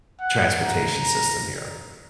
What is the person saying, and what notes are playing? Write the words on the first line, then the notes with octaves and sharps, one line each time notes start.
transportation system here.
F#5
A#5